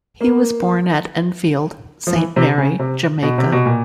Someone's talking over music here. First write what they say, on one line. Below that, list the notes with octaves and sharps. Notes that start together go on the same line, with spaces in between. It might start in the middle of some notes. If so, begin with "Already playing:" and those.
He was born at Enfield, Saint Mary, Jamaica.
A#3
F3
E3
C3
C#3
C3
B2
C3
B2
A#2